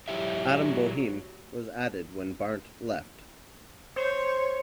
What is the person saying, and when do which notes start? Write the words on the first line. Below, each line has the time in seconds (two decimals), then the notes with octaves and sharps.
Adam Boehm was added when Barnt left.
0.08 F#3 E4 G4 E5
3.96 C5 C#5